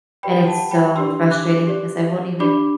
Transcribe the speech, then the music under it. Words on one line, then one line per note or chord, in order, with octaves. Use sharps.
and it's so frustrating because I won't even
G4 B4 D5 G5 B5
F#5 A5
G5 B5
D4 G4 D5 C6 E6
D6 F#6
G4 D5
D4 G4 D5 B5 D6